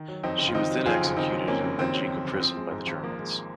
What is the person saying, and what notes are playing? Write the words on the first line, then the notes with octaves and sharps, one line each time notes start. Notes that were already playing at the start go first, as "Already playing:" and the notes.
She was then executed in Banjica prison by the Germans.
Already playing: D#3
F#3
F2 C4 D#4
F#1
F4
D#3 C4 D#4
F#3
F2 F4 G#4
F#1
D#3 C4 D#4
F#3
F2 A#3 C#4
F#1
D#3 C4
F#3
F2
F#1
F3 C4
G#3
G#2
G#1
F3 A#3
G#3